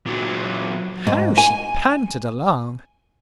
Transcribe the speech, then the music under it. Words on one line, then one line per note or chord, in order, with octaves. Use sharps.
How she panted along!
A#2 F#3
G#2
G#5